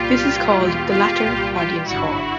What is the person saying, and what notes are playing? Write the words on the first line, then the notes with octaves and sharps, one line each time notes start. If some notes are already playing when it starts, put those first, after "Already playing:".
This is called the latter audience hall.
Already playing: C2 A#2 G3 F4 G4
E2 B2 G#3
F4 G4
C2 A#2 G3
F4 G4
G#1 G2 D3 E4 F#4